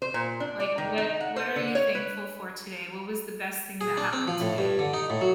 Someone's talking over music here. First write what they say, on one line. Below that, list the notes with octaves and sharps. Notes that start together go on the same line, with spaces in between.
Like, "What what are you thankful for today? What was the best thing that happened today?"
C5
A#2
D4
D5
D#3
D#4
F#5
C5
D3
C#5
B4
G#4
D4
C4
F3
A2
G2
D3
D#4
A2
F#3